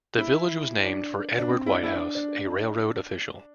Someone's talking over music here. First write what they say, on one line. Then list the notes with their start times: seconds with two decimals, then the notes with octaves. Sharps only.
The village was named for Edward Whitehouse, a railroad official.
0.18 E4
0.84 D4
1.38 D4
1.50 C4
1.66 E4
1.71 D4
1.83 E4
1.94 D4
2.15 D4